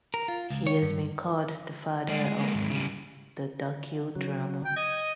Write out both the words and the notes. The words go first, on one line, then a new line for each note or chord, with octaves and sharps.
He has been called the father of the docu-drama.
A#4
F4
C#2
C#5
G2
G3 G#3
G#3
G#3 A#3
D#2 G#2
C#3 G3
C#3 F#3
G5
D#5 G#6